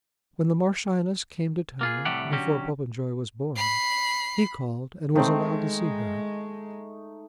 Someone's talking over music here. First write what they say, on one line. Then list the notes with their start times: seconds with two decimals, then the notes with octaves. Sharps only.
When the Marchioness came to town,--before Popenjoy was born,--he called, and was allowed to see her.
1.81 A#3 F4 G#4
2.05 A2 C3 G3 A3 G4 F#5
2.32 D3 F#3 C#4 F#4 G4
3.56 B5 C7
5.15 D#3 G#3 A3 C4 D#4